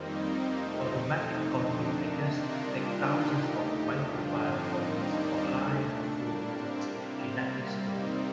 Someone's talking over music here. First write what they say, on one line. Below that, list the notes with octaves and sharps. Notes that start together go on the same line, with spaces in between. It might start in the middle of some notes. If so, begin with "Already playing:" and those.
Automatic colony pickers pick thousands of microbial colonies for high throughput genetic screening.
Already playing: F2 D#3 G3 A#3 C4 D#4
C4 D#4
C3 F3 A3
F2 D3 A3 C4 D#4
D4
C3 D#3 A#3 D4
C4 D#4
A#2 G3 A#3 D4 F4
D#4 G4
D#2 D#3 A3 D#4 G4
D#4 G4
G2 D3 F3 D4 F4
C4 D#4
D#2 D#3 G3 A#3 C4 D#4
D4
A#2 A3
D4
A2 G3 A#3 D4
C4
C3 G3 A#3
C4
C3 G3 A#3
C4 D#4